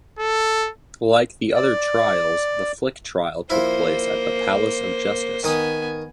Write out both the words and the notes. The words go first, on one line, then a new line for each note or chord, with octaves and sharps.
Like the other trials, the Flick trial took place at the Palace of Justice.
A4
D5
F3 A#3 E4 C5
D#3 B3 G#5 D#6